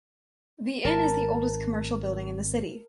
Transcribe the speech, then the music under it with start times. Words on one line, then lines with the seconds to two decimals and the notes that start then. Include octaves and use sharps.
The Inn is the oldest commercial building in the city.
0.85 G#1 A#4 A5